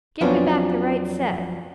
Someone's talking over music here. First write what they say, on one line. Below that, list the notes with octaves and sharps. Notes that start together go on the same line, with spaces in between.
'Give me back the right set.
F2 F3 F#3 B3 C#4 D4